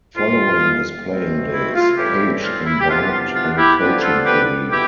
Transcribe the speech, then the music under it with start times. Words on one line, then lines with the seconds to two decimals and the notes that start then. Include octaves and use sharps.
Following his playing days, Page embarked on a coaching career.
0.16 F2 E3 G3 F4
1.07 B2 A3 C4
1.53 E4
1.75 F4
1.97 A2 E3 G3 C4 E4 G4
2.44 F4
2.66 E4
2.81 G4
2.89 C3 E3 B3 D4 F4
3.34 F4
3.57 E4 G4
3.80 D3 F3 B3 D4 G4 B4
4.02 F4 A4
4.25 G4 B4
4.71 B2 B3 E4 G4